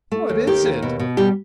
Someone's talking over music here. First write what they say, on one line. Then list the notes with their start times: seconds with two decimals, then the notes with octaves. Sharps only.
"What is it?"
0.12 A3
0.29 D#2
0.47 D#3 G4
0.65 D#2
0.82 B2
0.99 B2
1.17 G3 G4